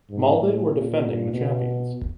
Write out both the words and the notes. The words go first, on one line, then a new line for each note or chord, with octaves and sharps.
Molde were the defending champions.
G#2
A2
A#2
B2